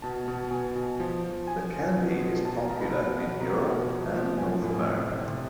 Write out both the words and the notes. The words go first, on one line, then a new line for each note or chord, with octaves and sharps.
The candy is popular in Europe and North America.
B2 A5
B2
B2 G#5
B2
F3
F3
F3 G#5
F3
B2
B2
B2 A5
A#5
B2 A#5
B5
B2
B2
B2 A#5
B2
F3
F3
F3 G#5
A2
C3
C3